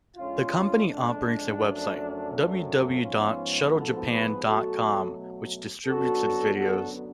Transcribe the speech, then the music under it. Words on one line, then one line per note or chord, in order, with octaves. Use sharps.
The company operates a website, www dot shuttle-japan dot com, which distributes its videos.
F2 D3 G#3 C#4 F4
D4
F#2 F3 A3
G#2 F3 B3 C#4 F4
F#4 A4
G#4 B4
B2 F#3 A3 F#4 A4
F#2 D3 F#3 B3 F#4 A4
F#4 A4